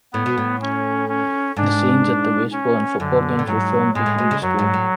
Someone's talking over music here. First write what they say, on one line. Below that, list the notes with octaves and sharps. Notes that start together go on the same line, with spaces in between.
The scenes at the baseball and football games were filmed behind the school.
A2 B3
B2
A2
C#4
C#4
G#2 D4
C#4
F#2 D3
A2
G#2 F#3
A2 G#3
A2
B2
C#3
F#2 F#3
G#2
A2